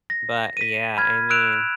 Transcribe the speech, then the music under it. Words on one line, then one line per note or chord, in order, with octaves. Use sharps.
but yeah, I mean,
A#6
B6 D#7
B5 F6 G#6
E6 F#6 D7 E7 F7